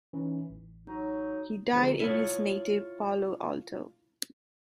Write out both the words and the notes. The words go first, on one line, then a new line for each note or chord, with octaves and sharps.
He died in his native Palo Alto.
E3 C#4 D#4
A1
F#3 D#4
F2 G#2 D3 F3 C4
E4 F4 C#5